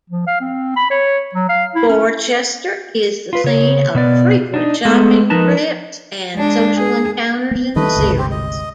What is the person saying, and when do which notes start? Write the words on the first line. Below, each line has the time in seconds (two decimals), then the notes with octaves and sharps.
Borchester is the scene of frequent shopping trips and social encounters in the series.
0.10 F3
0.27 F5
0.41 C4
0.76 B5
0.90 C#5
1.34 F#3
1.49 F5
1.75 E4
1.89 C#4
3.33 F4 B4
3.44 C#3 C#5
3.95 B2 B3 D5
4.54 D4 D#4
4.85 G#3 A3 B3 G#4 A4
5.30 F3 D#4 A#4 B4 A5
6.34 G#3 D4
6.76 G#4
7.51 A#3 B3
7.76 D#3 G3 A3 B4 D#5
7.97 G1 C#2 C3
8.18 C4 G4
8.31 D#5